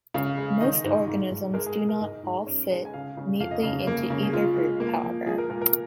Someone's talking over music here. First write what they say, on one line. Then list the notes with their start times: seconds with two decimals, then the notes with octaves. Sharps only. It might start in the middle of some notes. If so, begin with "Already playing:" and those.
Most organisms do not all fit neatly into either group, however.
0.14 C#3 F5
0.37 G#3
0.61 D#3 D#5
0.84 G#2
1.07 G#2
1.31 G#2
1.54 G#3 A#4
1.66 G#4
1.77 G#3 G#4
1.89 A#4
2.00 G#2 D#5
2.23 G#2
2.47 C#4
2.71 G#3
2.85 G#5
2.94 C#3 F5
3.17 C#3
3.40 F2 F5
3.51 D#5
3.62 C#3 F5
3.87 A#3
4.10 C#3
4.23 G#4
4.33 G#3 F4
4.56 G#3
4.80 A#3
5.03 F3
5.26 F3 G#4
5.38 A#4
5.50 A#2 A#4
5.61 A#4